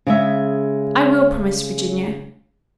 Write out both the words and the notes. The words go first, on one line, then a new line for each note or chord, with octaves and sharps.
"I will," promised Virginia.
C#3 G#3 E5